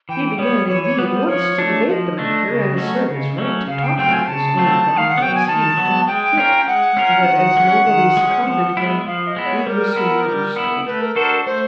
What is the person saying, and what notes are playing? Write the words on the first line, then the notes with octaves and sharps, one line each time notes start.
He began, indeed, once to debate the matter, and assert his right to talk to his own daughter as he thought fit; but, as nobody seconded him, he was soon reduced to order.
E3 G5
G3 B3 C#5
E3 C#5
C#5
G3 B3 B4
C5
F3 C#5
A3 D4
F3 D#5 F5
A3 D4
C#3
F#3 A3 C#4
C#3
F#3 A3 C#4
C#3 F5
G5
F#3 A3 C4 F4 G5
G#5
C#3 A5
F#3 A3 C4 F4
D#3
F5
F#5
F#3 B3 G5
G#5
D#3 A5
F#3 B3
G#3 G5
C#4 F4 A#4
G#3 F#5
C#4 F4 A#4
D#3
G#3 C#4
D#3
G#3 C#4
F3
G#3 B3 E4
F3 F5
D#5
G#3 B3 E4
C#5
G3 A#4
B3 E4
G3
B3 E4
A3 B4
A#4
D4 F#4 A4 A#4 C5
A3 C5